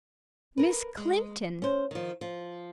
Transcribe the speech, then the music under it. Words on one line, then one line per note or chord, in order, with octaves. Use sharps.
Miss Clinton!
A#4 B4
G#3
C#4 C5
D#3 F3
F3